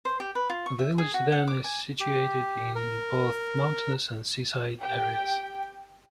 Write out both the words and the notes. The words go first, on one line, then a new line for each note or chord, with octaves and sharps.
The village, then, is situated in both mountainous and seaside areas.
C5
G4
B4
F4
C#6
E5
G#4
F#4
F#5
D6
G#5
G4
A#4
G4 G5